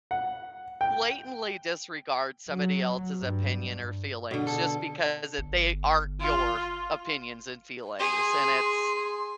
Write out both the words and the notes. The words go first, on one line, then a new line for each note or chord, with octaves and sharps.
blatantly disregard somebody else's opinion or feelings, just because it they aren't your f opinions and feelings, and it's
F#5
G5
F#3
G2
B2 D3
A4
G1
F4
G#4 C6